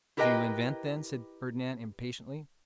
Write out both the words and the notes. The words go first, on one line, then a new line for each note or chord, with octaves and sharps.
"Do you invent, then," said Fernand impatiently.
E4 G4 A#4 B4 D#5 G5